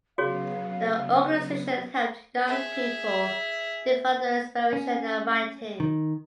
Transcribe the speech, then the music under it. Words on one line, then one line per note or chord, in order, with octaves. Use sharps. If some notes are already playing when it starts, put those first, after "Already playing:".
The organization helped young people develop their inspiration and writing.
C#3 F#3 B3 F#4 G#4 C#5 F5
G#4 E5
C#4
D#3